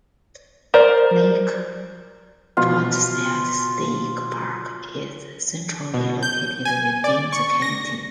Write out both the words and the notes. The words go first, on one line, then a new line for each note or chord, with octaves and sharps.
Lake Poinsett State Park is centrally located within the county.
A#4 C5 D5
B2 F3 B3 F4
B2
G6
G#5
D5
C#6
A#6